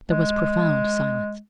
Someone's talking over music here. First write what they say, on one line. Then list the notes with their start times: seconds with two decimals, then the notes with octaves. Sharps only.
There was profound silence.
0.10 G#3